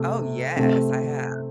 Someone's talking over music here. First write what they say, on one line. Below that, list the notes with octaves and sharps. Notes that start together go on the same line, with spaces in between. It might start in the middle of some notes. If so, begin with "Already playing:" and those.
Oh yes, I have.
Already playing: C3 A3
C3 A3 C4